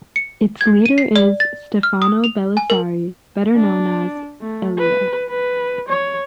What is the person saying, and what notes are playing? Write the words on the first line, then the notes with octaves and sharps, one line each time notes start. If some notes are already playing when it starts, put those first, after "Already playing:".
Its leader is Stefano Belisari, better known as Elio.
C#7
G#6
D#7
C7
D5
A6
F6
D#6
F7
G#5
A#4
D4
A3
B4
B4
C#5